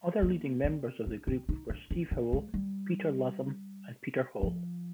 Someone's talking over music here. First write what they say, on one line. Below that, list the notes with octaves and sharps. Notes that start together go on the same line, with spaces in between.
Other leading members of the group were Steve Howell, Peter Latham and Peter Hall.
A#3
C4
D4
C4
D#4
D4
C4
D4
G#3
G3
F3